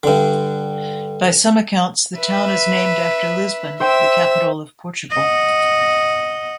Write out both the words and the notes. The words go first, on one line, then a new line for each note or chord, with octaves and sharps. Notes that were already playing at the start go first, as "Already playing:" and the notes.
By some accounts, the town is named after Lisbon, the capital of Portugal.
G2 D3
B4 E5
C5 E5 G5 E6 D7
D#5 F#5